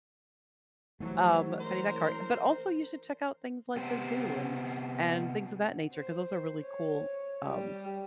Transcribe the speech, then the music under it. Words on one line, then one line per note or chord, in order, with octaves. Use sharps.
um, Pennypack car but also you should check out things like the zoo and and things of that nature 'cause those are really cool, um,
E3 F#3 A3 E4 G4 C5 F#5
F#1 A#4 C5
C3 B3 C5
C5
C#5
G3